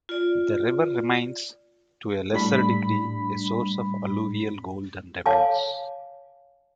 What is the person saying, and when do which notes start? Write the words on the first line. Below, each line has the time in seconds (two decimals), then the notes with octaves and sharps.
The river remains, to a lesser degree, a source of alluvial gold and diamonds.
0.09 F4 D5
2.33 A2 G3 D4 B5 B6
5.26 C#5 F5 G#5 A5 D6